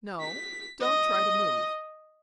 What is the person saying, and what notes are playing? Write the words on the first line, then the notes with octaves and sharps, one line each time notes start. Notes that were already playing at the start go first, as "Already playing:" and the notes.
No, don't try to move.
B6
D#5